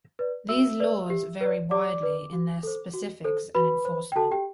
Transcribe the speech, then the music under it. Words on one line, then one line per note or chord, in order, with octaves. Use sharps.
These laws vary widely in their specifics and enforcement.
B4 D5
F#4 E5 E6
B4 D5
G4
B4 D5
G4 D5 D6
B4 D5
F#4
A4 C5
F#4
A4 C5
F#4 B4 B5
C5
G5
F#4 A4 A5
G4 G5